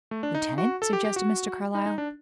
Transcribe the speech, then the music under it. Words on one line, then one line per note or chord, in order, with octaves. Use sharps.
"Lieutenant?" suggested Mr. Carlyle.
A3
D4
D#4
F#4
A4
G4
G4
F#4
D#4
D#4
D4